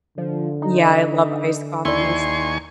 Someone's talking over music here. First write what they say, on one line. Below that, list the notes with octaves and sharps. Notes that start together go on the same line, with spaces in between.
Yeah, I love iced coffees.
D3 F3
D#4
D#2 E4 D5 G#5 C6 C#6